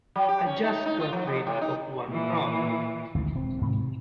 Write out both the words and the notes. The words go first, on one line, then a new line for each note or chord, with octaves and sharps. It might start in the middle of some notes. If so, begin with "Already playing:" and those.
I just got rid of one crowd.
F#3
G4
C#4
D#4
D#4
F4
F3
F2
A2
D#4
A#2 E3
G#1 D2 G#2 E3
E1 C4
G#2 C3 D#3 F3
C3